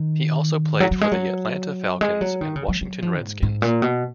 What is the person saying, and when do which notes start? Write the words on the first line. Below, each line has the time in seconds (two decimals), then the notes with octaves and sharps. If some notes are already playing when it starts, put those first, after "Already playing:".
He also played for the Atlanta Falcons and Washington Redskins.
Already playing: D#3
0.80 F#3
0.91 F#3
1.01 G#3
1.12 F#3
2.01 G#3
2.21 F#3
2.41 D#3
2.56 C#3
2.68 F#3
2.81 F#3
3.02 F3
3.22 G#2
3.43 G#2
3.62 A#2
3.82 B2